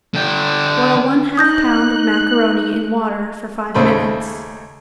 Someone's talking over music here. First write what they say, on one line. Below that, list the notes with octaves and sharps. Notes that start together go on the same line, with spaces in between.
Boil one-half pound of macaroni in water for five minutes.
D3 G5
D#4 D#6 F#6 G6 A#6
D#2 C#3 A3 C5 B5